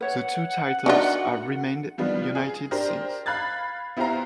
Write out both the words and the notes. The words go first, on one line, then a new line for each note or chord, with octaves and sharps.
The two titles have remained united since.
B4 C#5 E5 F#5
D4 D#4 F4 F#4 A#4 E5
D#3 F3 G3 B3 D4 F4
G#4
D4 G4 A#4 C5
F5 B5 F#6 G#6 A6
B3 E4 G4 C5 F5 A#5